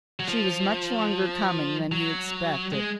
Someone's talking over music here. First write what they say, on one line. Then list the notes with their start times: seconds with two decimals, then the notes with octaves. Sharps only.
She was much longer coming than he expected.
0.20 F#3
0.28 F3
1.92 F#3
2.73 G#3